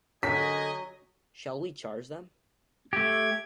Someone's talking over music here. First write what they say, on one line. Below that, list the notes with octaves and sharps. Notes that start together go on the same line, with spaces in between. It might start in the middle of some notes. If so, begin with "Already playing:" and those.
Shall we charge them?
D3 F#3 D#5 G#5 B6
A3 G4 G#6